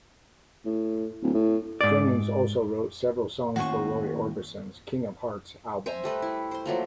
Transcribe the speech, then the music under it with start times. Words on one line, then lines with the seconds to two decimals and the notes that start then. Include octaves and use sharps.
Jennings also wrote several songs for Roy Orbison's "King Of Hearts" album.
0.65 A2
1.22 D1
1.34 A2
1.81 G#2 D5
3.56 D#2 A2 C#4 F#4 C5 C#6
5.86 C5 E5 G#5 A#5
6.04 G3 A3 B4 D#5
6.22 E4
6.51 C5 C6
6.66 F3 F#3 A3 A#3